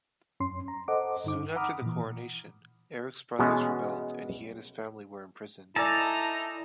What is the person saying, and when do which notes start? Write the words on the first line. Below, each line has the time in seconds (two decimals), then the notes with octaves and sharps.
Soon after the coronation, Eric's brothers rebelled and he and his family were imprisoned.
0.40 F#2 C#4 C6
0.68 A#5
0.88 A4 C5 D#5 F#5 D6
1.24 G2 D3 D#4 D6
1.56 F#5 A#5 B5 D6 D#6 F6
1.82 A#2 E3
3.39 B2 E3 G#3 B3 C#4
5.76 D#4 E4 G#4 A4 D5 A5 A#5